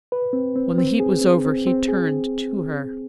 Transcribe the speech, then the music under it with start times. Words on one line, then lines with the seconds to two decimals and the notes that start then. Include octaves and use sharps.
When the heat was over he turned to her.
0.12 B4
0.33 C4
0.56 C4
0.78 C4
1.00 G#4
1.21 C4
1.45 C4
1.67 C4
1.89 G#4